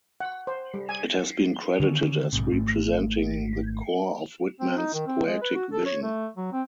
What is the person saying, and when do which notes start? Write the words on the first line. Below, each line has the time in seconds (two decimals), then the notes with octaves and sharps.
It has been credited as representing the core of Whitman's poetic vision.
0.20 F#5
0.47 C5
0.74 G3
0.89 G#5
1.80 D3 D#3 G3 C#4
2.33 A#1 G#2 C3
2.52 G#1 G#2 A3
4.60 C4
4.76 D#4
4.94 D#3
5.06 C4
5.26 G#3
5.42 B4
5.55 F#4
5.72 A4
5.85 C#5
6.03 A3
6.36 F#3
6.52 C4